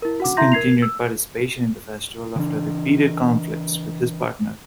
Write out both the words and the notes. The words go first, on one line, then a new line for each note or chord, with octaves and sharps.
He discontinued participation in the festival after repeated conflicts with his partner.
E4 A#4
F#4 F#5 D6
E4 E5 A#5 C6 G6 A#6
A#4 G#6 C7 F7
E6
C#3 E3 D4